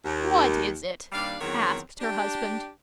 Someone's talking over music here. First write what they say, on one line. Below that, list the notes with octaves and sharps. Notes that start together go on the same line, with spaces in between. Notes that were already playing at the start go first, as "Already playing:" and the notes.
"What is it?" asked her husband.
D#2
D#2 G3 D4 F5
E2 D#3 F#3 C4 C#5
D4 G4